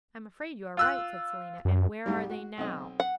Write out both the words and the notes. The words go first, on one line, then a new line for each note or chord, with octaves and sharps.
'I am afraid you are right,' said Selina; 'and WHERE ARE THEY NOW?'
F4 E6 F#6
F#2
C2 G#2 G3
F#4
B1 C4 D#5
F#5